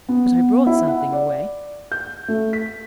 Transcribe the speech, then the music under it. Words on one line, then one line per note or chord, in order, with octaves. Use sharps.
But I brought something away.'
B3
E4
F#5
D5
G6
A3
B6